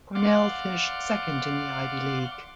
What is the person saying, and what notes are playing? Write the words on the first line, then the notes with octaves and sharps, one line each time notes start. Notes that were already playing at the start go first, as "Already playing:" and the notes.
Cornell finished second in the Ivy League.
D5 F5 F#5 C6 D6